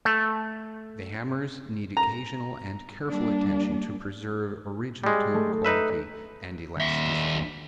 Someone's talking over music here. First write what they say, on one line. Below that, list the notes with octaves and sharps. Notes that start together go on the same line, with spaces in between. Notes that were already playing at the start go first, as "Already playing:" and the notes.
The hammers need occasional and careful attention to preserve original tone quality and elasticity.
A3
A#5
G3 A#3 D4
G3 G#3
A3
D#4 B4 E5
D#2 E5